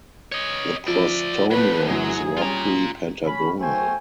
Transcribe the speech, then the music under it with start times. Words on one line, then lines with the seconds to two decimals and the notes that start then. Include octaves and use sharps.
The prostomium is roughly pentagonal.
0.32 C#5 D#5
0.87 F3 D5 E5
1.51 F#3 A3 B4
1.89 F#2 E3 F#3 G#4
2.37 G3 C#4 F4 A#5
3.25 C#4 B5
3.59 A3 F#4 C5 G5 G#5